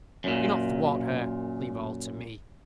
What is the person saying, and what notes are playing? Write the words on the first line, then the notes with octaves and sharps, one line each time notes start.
Do not thwart her; leave all to me.
F#2 A#2